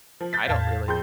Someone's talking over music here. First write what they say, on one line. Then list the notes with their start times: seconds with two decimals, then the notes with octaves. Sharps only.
I don't really.
0.21 F3
0.33 G6 A6 B6
0.48 E2 A2 F5 A5 G#6
0.88 F2 G#4 G5 C6 G6